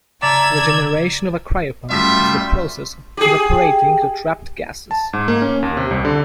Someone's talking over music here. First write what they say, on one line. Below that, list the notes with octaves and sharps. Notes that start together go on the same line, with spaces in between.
Regeneration of a cryopump is the process of evaporating the trapped gases.
C#3 D5 E5 A5 A#5 E6 G#6
F#2 G3 A3 F4 E5 C6 D#6 B6
G4 G#4
A5
G#2
A#3
C#4
D#2
C3
C2
D3